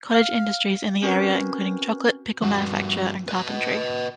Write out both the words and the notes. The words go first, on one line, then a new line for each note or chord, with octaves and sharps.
Cottage industries in the area including chocolate, pickle manufacture and carpentry.
F5
C4 C#4 F#4 A#4 B4
G2 F#4
B4 D#5